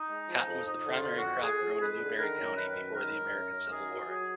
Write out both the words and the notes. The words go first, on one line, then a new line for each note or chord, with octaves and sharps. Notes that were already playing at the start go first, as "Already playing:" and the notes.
Cotton was the primary crop grown in Newberry County before the American Civil War.
Already playing: D#4
G#3
F3
F2
F2 D#4
D3
F4
F2
F#4
F2
F2 G#4
F2
G#3 B4
D3
D#3 A#4
F#2
D#3 B4
F#2
D#3 A#4
F#2
F#2
F#2
D#3 G#4
F#3
F#3 G#4